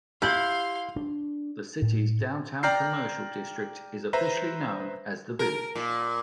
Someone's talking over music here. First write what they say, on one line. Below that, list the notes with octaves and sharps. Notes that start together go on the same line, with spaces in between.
The city's downtown commercial district is officially known as "The Village".
E4 G4 F5 C6 F6 G6 F#7
D4
A2
D5 G5 A#5 F6 G6 C7
B4 C5 E5 A#5
A#4
A#2